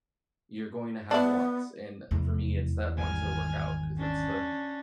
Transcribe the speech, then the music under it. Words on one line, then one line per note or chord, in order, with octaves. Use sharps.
you're going to have wants. And for me, it's that want to work out 'cause that's the
B3 D4 E4
F1 E2
G#1 D#3 G3 G#5 F6
C#4 D4